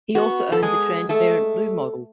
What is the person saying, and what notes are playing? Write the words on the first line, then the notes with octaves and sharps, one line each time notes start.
He also owns a transparent blue model.
B3 F#4
A4
G#3 G#4
A3 A4